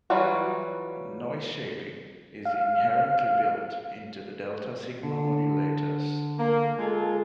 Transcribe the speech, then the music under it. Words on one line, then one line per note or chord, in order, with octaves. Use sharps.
Noise Shaping is inherently built into the delta-sigma modulators.
E3 F#3 G3 F4 F#4
F5
D3
A#3
G#3 F4 A4